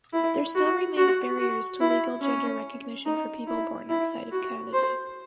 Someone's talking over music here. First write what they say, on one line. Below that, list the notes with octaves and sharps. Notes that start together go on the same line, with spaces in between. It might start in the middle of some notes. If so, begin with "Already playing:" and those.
There still remains barriers to legal gender recognition for people born outside of Canada.
E4
F#4
F#4
F#4
E4
C#4
D#4
E4
E4
F#4
C5